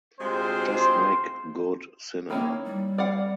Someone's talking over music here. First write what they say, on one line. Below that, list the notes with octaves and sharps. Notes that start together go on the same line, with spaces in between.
Just make good cinema.
D2 C3 G#3 C4 F4 C5
C6
D#3 A#3 C#4 E4
G3
D5 F5 F#5